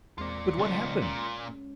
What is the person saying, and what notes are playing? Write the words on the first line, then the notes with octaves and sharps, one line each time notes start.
'But what happened?
E2 G#3 C4 F4 D5
C#2 F3 G3 A#3
A#2 G#3 C#4